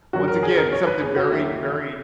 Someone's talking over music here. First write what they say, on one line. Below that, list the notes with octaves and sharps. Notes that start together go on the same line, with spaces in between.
once again, something very, very
F#2 D#3 F#3 F#4
A#4
G#4
A#4
C#5
B4
G#4
F#4
D#2 D#3 F#3 E4